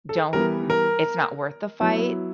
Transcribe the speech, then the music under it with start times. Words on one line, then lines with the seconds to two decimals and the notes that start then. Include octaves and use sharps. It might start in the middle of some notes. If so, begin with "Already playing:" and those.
don't, n it's not worth the fight,
0.09 A4
0.33 E3 G3 B3 A#4
0.70 A#4
1.80 F#3 B3 E4